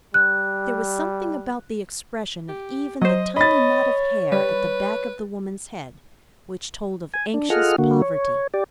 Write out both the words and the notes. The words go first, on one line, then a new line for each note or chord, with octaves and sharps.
There was something about the expression of even the tiny knot of hair at the back of the woman's head which told of anxious poverty.
G3 F#6
G4
F#3 C5 D#5
C#5 D#5 B5 A6
G3 B4
G#5
D4
F4 G#4 A4 D#5 F#5 F6
D3 A#3 F#4
C#5
G4 D5